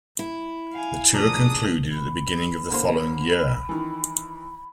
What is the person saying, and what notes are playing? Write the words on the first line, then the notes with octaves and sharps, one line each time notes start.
The tour concluded at the beginning of the following year.
E4
F5 G#5
D#2 A2 F3 D4 G#4 D5 A#5 D#6
B5
D3 A#3 C5
D#3 E3